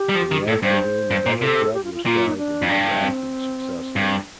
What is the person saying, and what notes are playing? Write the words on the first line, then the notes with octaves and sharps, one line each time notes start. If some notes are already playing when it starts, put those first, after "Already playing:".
In the afternoon a double thread was tried, and this acted successfully.
Already playing: G4
G3
F3
D#3
G4
A2 A4
G2 C5
G2
A#2
C3 A4
G4
F4
F4
A#2 F4
D#4
D4
F2
G2 D4
C4
G2